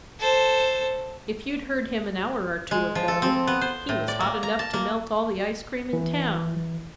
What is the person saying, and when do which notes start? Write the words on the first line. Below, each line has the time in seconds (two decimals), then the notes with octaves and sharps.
If you'd heard him an hour or two ago, he was hot enough to melt all the ice-cream in town.
0.19 A4 C5
2.71 G#3
2.95 F3
3.08 A4
3.22 C4
3.47 B3
3.61 C5
3.89 A2
4.08 D5
4.20 A#3
4.43 A#5
4.59 A5
4.73 A#3
5.93 E3